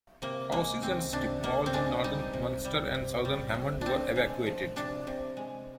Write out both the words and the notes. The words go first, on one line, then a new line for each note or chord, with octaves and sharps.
Houses and strip malls in northern Munster and southern Hammond were evacuated.
C3 A#3
G#3 A#3
D#3 C4
C3 D4
C3 A#3
C4
G#3 D4
G3 D#4
C3
G3
C3
G3
C3
C3 C4 D4
G#3
F3
C3 D4
C3
G#3